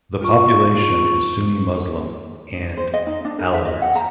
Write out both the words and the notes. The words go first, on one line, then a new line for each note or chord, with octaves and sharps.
The population is Sunni Muslim and Alawite.
F4 C#6
C5
D#5
D#4
D4
A#4
E5
D#5
F#5
A#5